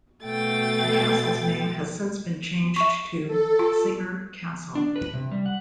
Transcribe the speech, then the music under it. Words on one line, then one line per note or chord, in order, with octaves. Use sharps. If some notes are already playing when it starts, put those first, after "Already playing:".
The castle's name has since been changed to "Singer Castle".
B2 A3 G5 A6
E5 C#6
A4
F4
D4
B4
C3
G3
F#5